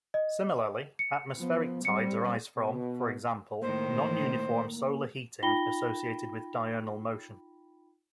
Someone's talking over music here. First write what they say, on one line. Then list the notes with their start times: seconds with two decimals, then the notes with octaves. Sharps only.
Similarly, atmospheric tides arise from, for example, non-uniform solar heating associated with diurnal motion.
0.14 D#5
0.99 C#7
1.37 F3 B3
1.85 G3 C4 C#7
2.57 B2
3.62 A2 D#3 A#3 C5
5.43 D#4 F4 G5 B5 A#6 G7